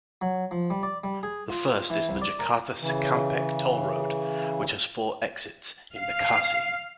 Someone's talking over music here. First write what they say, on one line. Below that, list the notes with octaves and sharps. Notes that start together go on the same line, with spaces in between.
The first is the Jakarta-Cikampek Toll Road, which has four exits in Bekasi.
F#3
F3
G3
D5
G3
G#4
F4
E3
C2
D5
A#4
C#3 E3
F5